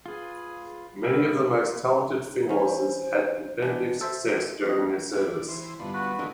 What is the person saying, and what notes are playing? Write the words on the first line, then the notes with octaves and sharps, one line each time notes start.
Many of the most talented Finnhorses had competitive success during their service.
F4 G#4 B4
A#3 A#4 B4 E5
E3 C#4 C5
B2 E3 D4 F#4
A4 C5 E5
F2 F#4 D#5
D4 E4
E3 C5
G2 D3 B3 F4
F#4 B4
D#3 F3 D4 E4 A4